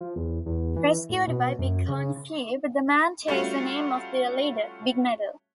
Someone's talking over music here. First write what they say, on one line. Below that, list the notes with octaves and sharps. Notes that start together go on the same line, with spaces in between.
Rescued by bighorn sheep, the man takes the name of their leader, Big Metal.
F3
E2
E2
E3
A2
B2
F#2
C#3
G3 A3 C#4 F4 F#4